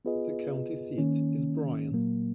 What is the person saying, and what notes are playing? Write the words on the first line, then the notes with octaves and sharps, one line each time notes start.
The county seat is Bryan.
B3 F4 G#4 B4 D#5
D#3 A#3 C#4
A#2 F#3 A#3